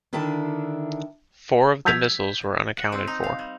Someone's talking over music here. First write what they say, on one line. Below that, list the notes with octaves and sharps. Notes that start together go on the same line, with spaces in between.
Four of the missiles were unaccounted for.
D3 D#3 D4 E4 A5
E6 G6 G#6 B6 F7
F#5
C4
D#4
F5
G3